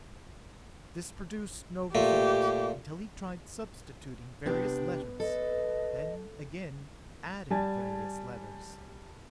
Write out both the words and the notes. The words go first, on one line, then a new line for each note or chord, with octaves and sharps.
This produced no result, until he tried substituting various letters; then, again, adding various letters.
A#2 A3 G4
C3 B3 D4 G4
A4 B4 D#5
G3 G#5 A5